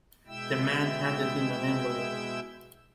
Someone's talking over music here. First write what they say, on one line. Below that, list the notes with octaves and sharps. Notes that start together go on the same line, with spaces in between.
The man handed him an envelope.
B2 G#3 E4 E5 G5 E6